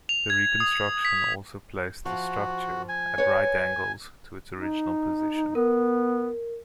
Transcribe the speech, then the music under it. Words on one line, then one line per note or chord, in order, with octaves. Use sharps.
The reconstruction also placed the structure at right angles to its original position.
F7
G#6
D#6
B6
F3 F#4
G#5
B4 C#5
D#4
B3 A#4